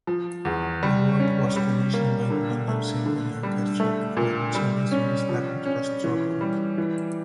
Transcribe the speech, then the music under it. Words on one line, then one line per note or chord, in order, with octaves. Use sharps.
The work was commissioned by the London Symphony Orchestra for the cellist Mstislav Rostropovich.
F3
E2
G3
C#4
G3
A#3
D3
A3
D3
G3
A3
A#2
G3
C#4
F3
C#4
E3
G3
E3